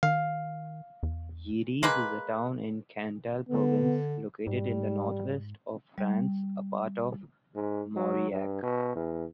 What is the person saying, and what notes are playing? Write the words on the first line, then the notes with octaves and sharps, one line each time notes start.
Ydes is a town in Cantal Province, located in the Northwest of France, a part of Mauriac.
D#3 F5
E2
G#3 A#3 B4
D3 B3
G#2 G3
G3
G#2
F#3
G2
B2
E2